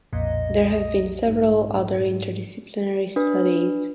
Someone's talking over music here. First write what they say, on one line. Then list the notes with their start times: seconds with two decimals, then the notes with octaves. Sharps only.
There have been several other interdisciplinary studies.
0.13 B1 F2 A#2 D#5
1.29 G#2
3.16 D4 B4